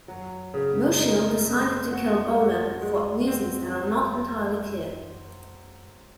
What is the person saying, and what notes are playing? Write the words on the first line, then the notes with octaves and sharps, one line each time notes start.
Mosheel decided to kill Bolon for reasons that are not entirely clear.
F#3
C#3
D#4
A3
F#4
F#4
G#3
C4
F#3